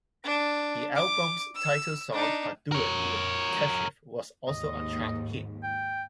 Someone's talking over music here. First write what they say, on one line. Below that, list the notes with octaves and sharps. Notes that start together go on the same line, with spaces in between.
The album's title song, a duet with Kashif, was also a chart hit.
D4
D6
E6
D4 D#4
A#4 C#5
D#2 G#2 D#5
G5